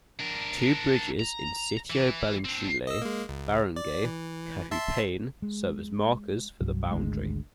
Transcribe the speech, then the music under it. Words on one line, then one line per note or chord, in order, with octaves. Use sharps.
Two bridges in Sitio Balintulay, Barangay Kahupian serve as markers for the boundary.
D4 A#4
A#5
E3
C4 D4
D#5 E6
G#3 A#3
C#2
D5
E3
E5 A5 C6
G#3
C2 G2 F#3
G#1 D2 G#3